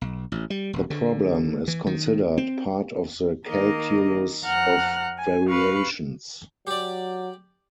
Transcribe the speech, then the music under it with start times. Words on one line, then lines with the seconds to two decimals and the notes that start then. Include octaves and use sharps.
The problem is considered part of the calculus of variations.
0.01 B1
0.32 A1
0.50 G3
0.73 E1
0.90 D3
1.68 E3
1.87 D#3
2.38 C4
3.46 D#3 A#3 D#5
4.44 F2 F#5 A#5 F6 F#6
5.18 G#5
5.49 B4 F5 C#6
6.67 F#3 G4 D5